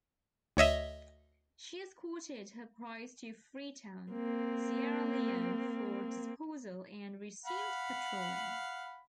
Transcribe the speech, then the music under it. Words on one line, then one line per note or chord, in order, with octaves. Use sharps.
She escorted her prize to Freetown, Sierra Leone for disposal and resumed patrolling.
D2 C#5 D#5 E5
A#3 C4
F5 F#5 B5